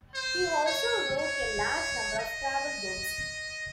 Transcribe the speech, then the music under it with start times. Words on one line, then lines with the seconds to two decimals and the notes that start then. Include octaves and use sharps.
He also wrote a large number of travel books.
0.15 C5
0.65 C#5
1.16 C#5
2.16 D#5